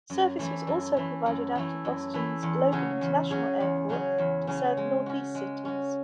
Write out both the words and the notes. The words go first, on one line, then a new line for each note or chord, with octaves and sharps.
Service was also provided out of Boston's Logan International Airport to several Northeast cities.
F#2
E3 A3 E4
F#2
E3 A3 E4
F#2
E3 A3 E4
F#2
E3 A3 E4
E2
C#3 F#3 C#4 G#4
E2
C#3 F#3 C#4 G#4
E2
C#3 F#3 C#4 G#4
E2
C#3 F#3 C#4 G#4
G#3
C#4 F#4
G#3
C#4 F#4